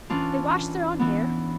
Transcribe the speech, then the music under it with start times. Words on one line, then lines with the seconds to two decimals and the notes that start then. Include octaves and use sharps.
They washed their own hair.
0.10 E3 C#4 D4 F4
0.99 E3 B3